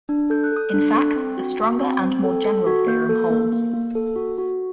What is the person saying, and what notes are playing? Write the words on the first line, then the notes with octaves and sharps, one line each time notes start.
In fact, a stronger and more general theorem holds.
D4
A4 G6
F#6
A4 D#6
D4 F#6
A4
C4
F#4
F#4
C4
C4
A4
A4
F#4
A#3 G6
A4
A#3
A#3
A#3
A4
F#4
F#4